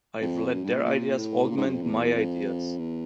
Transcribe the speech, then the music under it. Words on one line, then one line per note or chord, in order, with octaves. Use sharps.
I've let their ideas augment my ideas.
F2
F#2
G2
A#2
A#2
A2
A#2
G#2
F#2
F2
E2
F2
E2